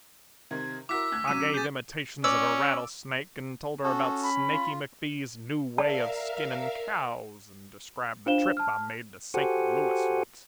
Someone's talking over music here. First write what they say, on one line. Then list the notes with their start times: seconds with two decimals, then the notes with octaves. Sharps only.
I gave imitations of a rattlesnake, and told her about Snaky McFee's new way of skinning cows, and described the trip I made to Saint Louis once.
0.51 C3 D#3 G#6
0.89 E4 F#4 A#4 D6 E6 B6
1.12 D2 F#6 G#6
1.28 C#3 F#3 C#4 D#7
1.54 G#4 G6 A6
2.24 C#4 D5 E6
3.84 C#4 F#4 A4
4.23 B5
4.52 F4
5.78 A#4 D5 E5 F5 A5
8.26 D4 F4 C5 F5 E7 G7
8.57 A5 F6
9.34 F#4 G4 A4 C5 F#5 G#5